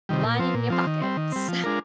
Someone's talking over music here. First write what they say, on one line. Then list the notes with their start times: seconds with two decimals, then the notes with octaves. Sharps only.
lining your pockets.
0.09 C3 D#3 G3
0.24 A#2
0.39 F3 C4
0.55 A#2
0.70 F3 C4
0.87 D#3
1.01 G3 C4
1.17 D#3
1.32 G3 C4
1.48 F3
1.64 G#3 D4 F4 A#4